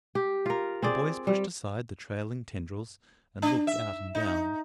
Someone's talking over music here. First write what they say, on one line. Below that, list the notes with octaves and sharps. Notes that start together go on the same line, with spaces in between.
The boys pushed aside the trailing tendrils and looked out and down.
G4
F4 A#4
C4 G#4 D5
G3
D4
E5
D#4